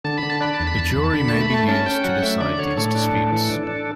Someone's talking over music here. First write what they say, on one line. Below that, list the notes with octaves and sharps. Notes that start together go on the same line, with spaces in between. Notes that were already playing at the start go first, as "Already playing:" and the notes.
A jury may be used to decide these disputes.
D3 A5
B5
D3
A5
D4 B5
A5
E2
B5
E2 A5
E2 B5
A5
D3 B5
A3 A5
B5
A3 A5
C#4 A5
C#4 G5
F#3 F#5
A3 E5
D3 D5
D3 C#5
A2 A4
D4
A2
E3
D4
D4